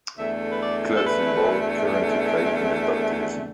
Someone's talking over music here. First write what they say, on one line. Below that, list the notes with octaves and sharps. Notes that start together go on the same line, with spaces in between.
Clubs in Bold currently play in the top division.
E2 D3 A3 E5
B4
D5
A4
B4